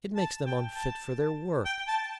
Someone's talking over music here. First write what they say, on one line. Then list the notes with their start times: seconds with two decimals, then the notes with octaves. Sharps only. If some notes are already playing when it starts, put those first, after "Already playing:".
It makes them unfit for their work.
0.16 A5
0.46 G5
0.76 A5
1.65 G5
1.88 A5